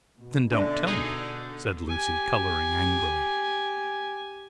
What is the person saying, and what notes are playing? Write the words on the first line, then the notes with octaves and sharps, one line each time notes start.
"Then don't tell me," said Lucy, coloring angrily.
B2
D3 D4 D5 E5
D#4 G#4
G4 G#5